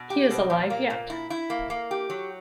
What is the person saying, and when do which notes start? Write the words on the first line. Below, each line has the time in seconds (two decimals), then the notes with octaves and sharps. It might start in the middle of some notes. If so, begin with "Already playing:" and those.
He is alive yet.
Already playing: B2
0.10 G4
0.30 B2
0.50 A#2
0.70 A#3
0.90 A#2
1.10 E4
1.30 E4
1.50 A#3
1.70 A#3
1.91 G4
2.10 F#3